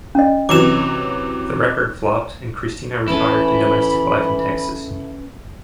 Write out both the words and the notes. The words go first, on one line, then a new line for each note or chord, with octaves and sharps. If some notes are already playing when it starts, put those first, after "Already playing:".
The record flopped, and Cristina retired to domestic life in Texas.
C#4 D#5
C3 E3 F#3 D6 E7
E3 C#4 E4 A4 B4 C#5 B5